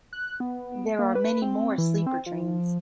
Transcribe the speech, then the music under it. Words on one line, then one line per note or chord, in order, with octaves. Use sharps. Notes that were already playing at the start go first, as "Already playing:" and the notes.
There are many more sleeper trains.
F#6
B3
A#3
B4
C4
E3
C4
F3